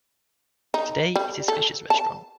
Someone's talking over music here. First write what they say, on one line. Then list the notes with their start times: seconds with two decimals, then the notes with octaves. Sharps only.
Today it is Fischer's Restaurant.
0.74 D#4
1.16 G3
1.48 A4
1.90 A5